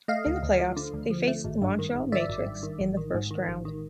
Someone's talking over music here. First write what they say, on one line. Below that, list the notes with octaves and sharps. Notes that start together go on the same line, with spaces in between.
In the playoffs, they faced the Montreal Matrix in the first round.
A3 D#5 F5
D2
D2
F3
D3
D2
F3
A3
G#1
G2
D#3
G#1
D#3 D5 E5
G#1
G2
D#3
A1
D#3
G#2
D#3
A1
D#3